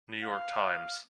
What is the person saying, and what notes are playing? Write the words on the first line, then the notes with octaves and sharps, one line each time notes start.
New York Times.
F5